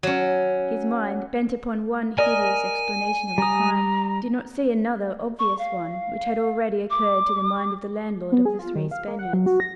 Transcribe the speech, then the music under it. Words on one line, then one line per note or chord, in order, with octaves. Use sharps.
His mind, bent upon one hideous explanation of the crime, did not see another obvious one which had already occurred to the mind of the landlord of the Three Spaniards.
F#3 C#4
A#4 D5 D#5 G#5
G3 A#5 D#6
C#6
F5
D6
B3
G#4
F4
D#3
F5
A#3
F#5
F#3
F#4
A#6